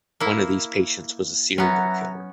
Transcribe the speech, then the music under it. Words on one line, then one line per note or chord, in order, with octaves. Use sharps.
One of these patients was a serial killer.
A#3 E4
F#3 B3 C#4 E5 F#5 A#5